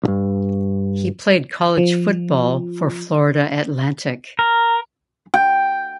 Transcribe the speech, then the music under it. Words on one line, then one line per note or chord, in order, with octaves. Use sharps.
He played college football for Florida Atlantic.
B1 G2
F3
A#4
G5